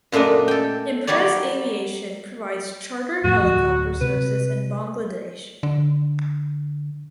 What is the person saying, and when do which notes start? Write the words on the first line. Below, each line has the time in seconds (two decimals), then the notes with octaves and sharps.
Impress Aviation provides charter helicopter services in Bangladesh.
0.12 F#2 A#2 A3 D4 D#5
0.48 A4 G5
1.07 F#3 G3 G4 C#5 D5
3.24 F2 A2 F#4
3.42 D1 G#1
4.01 C3 B4
5.63 D3